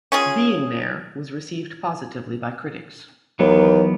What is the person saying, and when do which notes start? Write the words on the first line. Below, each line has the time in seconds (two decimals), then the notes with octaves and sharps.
"Being There" was received positively by critics.
0.12 C#4 F4 G#4
3.39 D#2 E3 F#3 B3